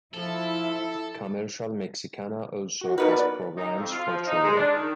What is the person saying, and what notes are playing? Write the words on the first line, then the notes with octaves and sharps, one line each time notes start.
Comercial Mexicana also has programs for children.
F3 E4 A4
F#4
F#3 B3 D#4 A#4 B4
D5
D#4
F2
F4
F3
D#4
G#3
D4
D#3